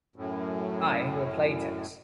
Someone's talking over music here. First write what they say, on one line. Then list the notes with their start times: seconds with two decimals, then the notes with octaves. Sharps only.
I will play tennis.
0.16 F#2 A2